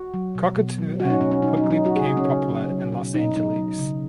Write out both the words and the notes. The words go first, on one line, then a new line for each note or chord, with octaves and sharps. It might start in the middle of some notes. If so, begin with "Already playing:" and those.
Cockatoo Inn quickly became popular in Los Angeles.
Already playing: F#4
F#3
B2
B2
F#3
F#3 F#4
C#4
D#4
B2 C#4
C#4
B2 D#4
D#4
F#3
D#4
F#3 F#4
G#4
C#3 F#4
C#4
C#3
F#3
F#3
B2
B2 D#4
F#3 D#4
F#3
C#3